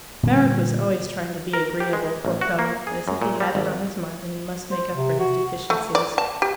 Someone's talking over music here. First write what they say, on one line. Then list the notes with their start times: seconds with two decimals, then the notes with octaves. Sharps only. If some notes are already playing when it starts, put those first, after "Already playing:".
Marek was always trying to be agreeable, poor fellow, as if he had it on his mind that he must make up for his deficiencies.
0.23 A#2 D3 G3
1.53 A#4
1.80 G4
1.93 G#3
2.25 A1
2.41 F#4
2.59 A#3
2.87 G#4
3.08 F#2
3.22 A#2
3.40 G3
3.55 G#1
4.71 C5
4.94 C3
5.19 F#4
5.70 A3
5.95 D5
6.18 A5
6.42 G4